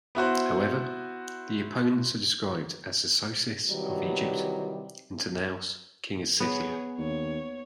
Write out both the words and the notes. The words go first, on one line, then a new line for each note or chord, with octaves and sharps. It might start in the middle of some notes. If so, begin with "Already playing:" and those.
However, the opponents are described as Sesosis of Egypt and Tanaus, king of Scythia.
B3 E4 F#4 C5
C3 D#3 E3 F#3 G3
B3 G#4 C#5
D#2 C#5